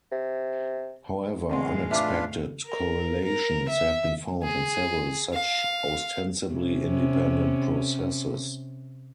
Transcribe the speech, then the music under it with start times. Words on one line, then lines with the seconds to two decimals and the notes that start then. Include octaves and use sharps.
However, unexpected correlations have been found in several such ostensibly independent processes.
0.12 C3
1.50 A2 E3 G#3 A3 C4 F5 F#5 C6
1.91 D4 F4 B4 E5 D6
2.67 A#4
3.25 A#4
3.69 E5
4.43 G#4
5.33 F5
6.53 C3 C#4